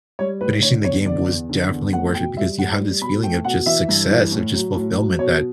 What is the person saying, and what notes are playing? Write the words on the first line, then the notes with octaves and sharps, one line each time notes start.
finishing the game was definitely worth it, because you have this feeling of just success, of just fulfillment that,
G3 C#5
A2 B4
D3 C#5
E2 C#5
D3 D5
E2
D3
E2
A3 F#5
B2 G5
G3 E5
A2 F#5
G3
B2 B5
A3 G5
B2 F#5
E3 E5
G2
E3
A2
F#3
A2
F#3
B2 C#5